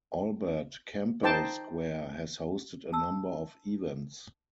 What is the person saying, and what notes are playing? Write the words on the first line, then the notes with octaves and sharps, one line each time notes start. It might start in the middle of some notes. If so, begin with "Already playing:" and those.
Albert Campbell Square has hosted a number of events.
D#4 C5 G5 A5
A5 E6